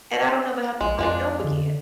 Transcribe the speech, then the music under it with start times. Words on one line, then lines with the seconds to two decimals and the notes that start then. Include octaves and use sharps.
and I don't ever have to bring it up again."
0.81 A#1 G#3
0.99 F2 F3 G#3 D4
1.44 D3